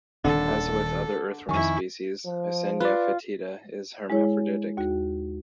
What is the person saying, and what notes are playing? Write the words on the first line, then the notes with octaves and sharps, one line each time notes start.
As with other earthworm species, "Eisenia fetida" is hermaphroditic.
D#1 D3 D#3 A4
F2 D#3 E4 G#5 C#6
F3
F4 B4 D5
G#3 E4 G#4 C#5
D#2 F#4